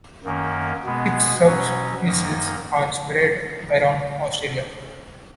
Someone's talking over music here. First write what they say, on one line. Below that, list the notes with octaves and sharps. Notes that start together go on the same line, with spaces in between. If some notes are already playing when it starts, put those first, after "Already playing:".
Six subspecies are spread around Australia.
F#2 D#3 A#3 C#4
B2 G#3 B3
B2 F#3 C#4
F#2 D#3 A#3 D#4